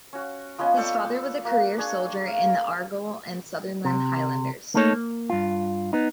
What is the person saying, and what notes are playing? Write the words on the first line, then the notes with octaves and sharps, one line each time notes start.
His father was a career soldier in the Argyll and Sutherland Highlanders.
C#4 F#4
F3 B3 C#4 D#5
A4 D5 G5 C#6
A#3 F#4
D4 G#4 C#6
F5
C3
A3 A#3 D#4 A4 C#5
A#3
G2 F4
B3 D#4